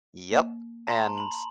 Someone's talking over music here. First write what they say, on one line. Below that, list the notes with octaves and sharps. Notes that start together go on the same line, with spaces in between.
Yep, and
A#3
A5 A#5 C6
B5 F#7